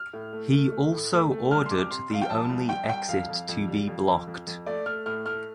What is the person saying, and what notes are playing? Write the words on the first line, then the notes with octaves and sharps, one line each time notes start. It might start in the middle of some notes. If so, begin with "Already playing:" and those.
He also ordered the only exit to be blocked.
Already playing: F6
A2
A3
A3
A3
A2
A3
A3
C2 F6
C6
C3 D6
C3 C6
C2 F5
G5
F3 A5
C2
C2 G5
C2 G5
F2 F5
F2
F2
G3
F2
F2
F2
F2
A3 D5
A3 F6
A2 F6
A3 F6